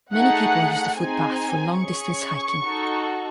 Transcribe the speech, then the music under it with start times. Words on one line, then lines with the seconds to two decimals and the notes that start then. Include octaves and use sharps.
Many people use the footpath for long-distance hiking.
0.14 A3 D#4 G#4 F#5
0.97 C4 D#4 G#4 G#5
1.79 C#4 G#4 C#6
2.62 D#4 F#4 A4